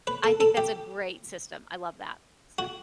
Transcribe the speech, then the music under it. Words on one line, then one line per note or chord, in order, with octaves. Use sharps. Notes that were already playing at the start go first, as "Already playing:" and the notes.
I think that's a great system, I love that, so,
B4
A4
A4
G4
F#4